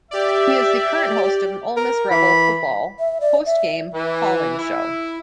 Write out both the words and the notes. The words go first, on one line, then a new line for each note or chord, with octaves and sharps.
He is the current host of an Ole Miss Rebel football post-game call-in show.
G4 D5 E5
A#4
E3 B5
E5
D5
E5
E3
E4